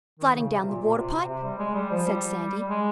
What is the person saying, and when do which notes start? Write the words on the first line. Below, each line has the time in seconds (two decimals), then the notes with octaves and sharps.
"Sliding down the water pipe," said Sandy.
0.20 D#3
0.35 C#3
0.51 C3
0.66 A#2
0.82 A#2
0.97 C3
1.13 C3
1.29 C3
1.43 G3
1.59 G#3
1.75 G3
1.91 F3
2.07 G3
2.68 G#3